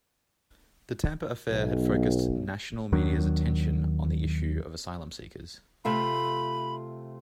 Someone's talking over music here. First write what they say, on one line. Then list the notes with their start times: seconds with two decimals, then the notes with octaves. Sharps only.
The Tampa affair had focused national media's attention on the issue of asylum seekers.
1.49 B1
2.92 D#2 D#3 F#3 D4
5.85 C3 A3 F4 B5